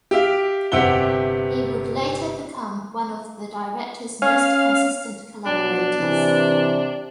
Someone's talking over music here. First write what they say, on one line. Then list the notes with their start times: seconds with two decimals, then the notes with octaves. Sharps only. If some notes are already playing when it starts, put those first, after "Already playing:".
He would later become one of the director's most consistent collaborators.
0.11 G4 E5 F5
0.72 G1 C3 G4 E5 F#5 G7
4.22 C#4 F5
5.46 B2 F#3 D4
5.99 C3 E3